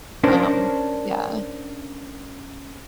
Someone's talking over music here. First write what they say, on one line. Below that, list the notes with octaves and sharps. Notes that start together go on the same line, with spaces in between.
um, yeah.
C#4 D4 A#4 C5